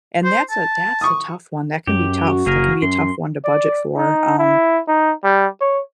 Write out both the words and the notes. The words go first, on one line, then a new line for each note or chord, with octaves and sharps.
And that's a that's a tough one. That can be tough. That can be a tough one to budget for, um
C5
A5
C#6 D#6
F#2 G4
F#4
F#1 A#3 G#4 A#4
F#2 C6
D5
D#4
E4
D#4
G3
C#5